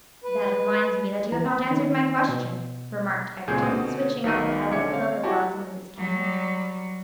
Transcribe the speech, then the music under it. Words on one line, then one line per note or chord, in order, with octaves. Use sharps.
"That reminds me that you have not answered my question," remarked Egerton, switching off the head of a clover-blossom with his cane.
B4
D2 E3 A#5
B5
D#3 B3 C#4
B2
C#2 A#2 C4 G#4 G#5 G6
B2 D3 C4 D#6
B1 B2 D#3 A#4 A#5 D#7
D3 C#4 E5 D6 G#6 C#7
C4 C#5 F5
E4 F#4 G4 G#5 A5 C#6
F#3 G3